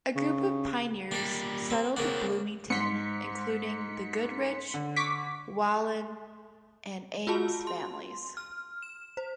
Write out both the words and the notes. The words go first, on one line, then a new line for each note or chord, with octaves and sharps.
A group of pioneers settled Bloomington, including the Goodrich, Whalon, and Ames families.
C#3
G3 A#3 D4 D5
C4
C#3 A#3 C4 D4 F#5
G#2 C6 B6 C#7
D3
C#6 D6 B6
F4 F#4 G#4 A5
C6
F6
E7
C5